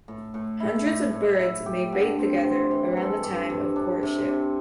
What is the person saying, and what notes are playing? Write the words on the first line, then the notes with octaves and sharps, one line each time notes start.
Hundreds of birds may bathe together around the time of courtship.
A2
A2
E4
A2
A2
E4
G4
D3
C4
C5
E3
A4
G2
G2
D4
C3
C3